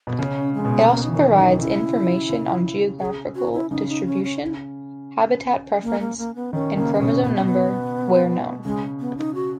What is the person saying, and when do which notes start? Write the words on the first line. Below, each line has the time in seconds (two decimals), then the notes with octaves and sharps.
It also provides information on geographical distribution, habitat preference, and chromosome number, where known.
0.07 B2
0.19 C#3 C#4
0.54 C#3 G#3
0.65 B2
0.89 C#3 A#3
1.04 E3 D#4
1.12 D#3 C#4
1.36 D#3 D#4
1.59 C#3 E4
2.29 C#3
3.00 G#4
3.36 F#4
3.53 E4
3.71 C#3 D#4
3.88 D#4
4.06 C#4
4.24 C#4
5.83 A#3
6.00 A#3
6.18 A#3
6.35 B3
6.53 D#3 C#4
6.76 C#3 A#3
6.94 B3
7.00 B2 C#4
7.24 B2 B3
7.35 C#4
7.46 B3
8.65 C#3 G#3
9.00 B3
9.18 D#4
9.35 F#4